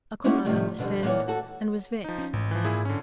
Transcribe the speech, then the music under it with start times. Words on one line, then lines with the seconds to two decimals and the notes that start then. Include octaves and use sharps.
I could not understand, and was vexed.
0.24 G#3 A#3 C#4 D#4 E4 F#4
0.44 A2 C3 D#3 F3 G3 A3
0.79 B2 D3 E3 F3 G3
1.03 A#2 E3 A#3 B3 C#5
1.28 F#4 A4
2.04 F3 D#4
2.18 C#4
2.33 A1 G#2
2.51 E3 F3
2.64 A#2 E4 G#4
2.85 D3 C#4